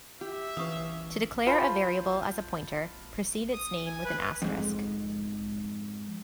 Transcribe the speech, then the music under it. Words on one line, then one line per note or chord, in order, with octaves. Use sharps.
To declare a variable as a pointer, precede its name with an asterisk.
G4 E5
E3 C#4 B4 F5 C#6 D#6
F4 C5 A5 B5
D#6
G#5
B4
F2 G#2